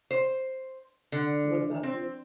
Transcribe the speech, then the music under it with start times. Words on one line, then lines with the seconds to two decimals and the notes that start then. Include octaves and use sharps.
what about you?
0.11 C5
1.12 D3
1.83 C4